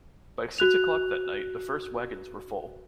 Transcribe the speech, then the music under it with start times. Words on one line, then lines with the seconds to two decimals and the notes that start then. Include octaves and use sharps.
By six o'clock that night, the first wagons were full.
0.58 F#4 F#6 F7